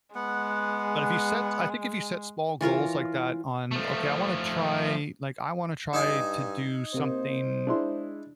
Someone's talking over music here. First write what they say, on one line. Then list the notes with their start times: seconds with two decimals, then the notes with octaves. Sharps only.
But if you set I think if you set small goals like that on, "Okay, I want to try" like, "I want to try to do something"
0.15 G#3 B3 F#5
2.61 E3 F4 A#4 C#5
3.71 F3 A3
5.93 G2 D#4 D#5 G#5 E6
6.94 C3 A#3 C5
7.67 G#3 D4 E4 C6